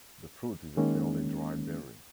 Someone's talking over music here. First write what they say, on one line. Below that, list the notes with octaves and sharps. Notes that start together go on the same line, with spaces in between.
The fruit is a fairly dry berry.
D#3 G#3 A#3 C#4